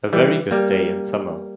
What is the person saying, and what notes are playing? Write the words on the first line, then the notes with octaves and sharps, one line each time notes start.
A very good day in Summer.
E3 G3
G3 A#3